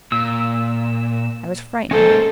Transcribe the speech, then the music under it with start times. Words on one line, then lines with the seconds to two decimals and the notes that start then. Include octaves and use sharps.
I was frightened.
0.12 A#2 E6
1.91 G#3 A#3 C#4 D#4 A4 C5